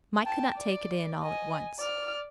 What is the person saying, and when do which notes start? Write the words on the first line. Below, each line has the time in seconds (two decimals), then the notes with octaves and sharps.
Mike could not take it in all at once.
0.24 G5 A5
0.57 D5
1.23 D#5 G#5
1.79 D5 F6